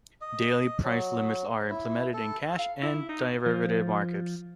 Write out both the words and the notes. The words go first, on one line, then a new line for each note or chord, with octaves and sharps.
Daily price limits are implemented in cash and derivative markets.
D#5
F#3
E4
A4
F5
E4
D#4
F3